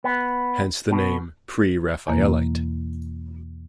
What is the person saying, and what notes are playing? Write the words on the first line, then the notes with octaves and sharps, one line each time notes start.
Hence the name "Pre-Raphaelite".
B3
B2
E2 B2 E3 A#3